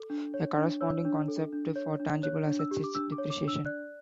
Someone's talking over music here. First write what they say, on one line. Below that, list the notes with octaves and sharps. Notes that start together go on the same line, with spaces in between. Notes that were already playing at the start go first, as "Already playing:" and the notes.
A corresponding concept for tangible assets is depreciation.
Already playing: A4
D4
C#5
D4
C#5 E6
D4
A4
D4
C#5
D4
C#5 F#6
D4
E6
G4
D6
D4 E6
D6
C#5
D6
D4
E6
D5 F#6